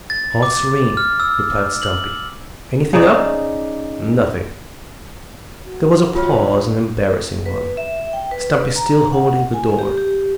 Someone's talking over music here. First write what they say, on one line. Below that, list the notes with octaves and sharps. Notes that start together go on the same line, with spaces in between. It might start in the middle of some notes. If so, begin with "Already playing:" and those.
"All serene!" replied Stumpy. "Anything up?" "Nothing." There was a pause--an embarrassing one--Stumpy still holding the door.
A6
D6
F6
E6
F#7
C#3 D#4 D5
F#4
F#2 F4 C#5 F6
B4
E5
G5
B4
A#5
F#5
G#5
G4
G4